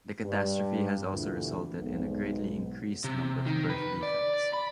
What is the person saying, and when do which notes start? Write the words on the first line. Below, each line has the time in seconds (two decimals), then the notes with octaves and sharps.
The catastrophe has also resulted in a greatly increased number of birth defects.
0.22 G2
1.10 D2 A#2 E3
1.73 B1 G#2
3.04 C3
3.46 D#3
3.70 B4
4.03 D5
4.34 D5
4.53 B5